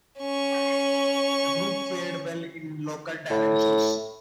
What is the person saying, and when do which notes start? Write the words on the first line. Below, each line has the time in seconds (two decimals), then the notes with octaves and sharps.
The group fared well in local talent shows.
0.21 C#4 C#6
3.31 A2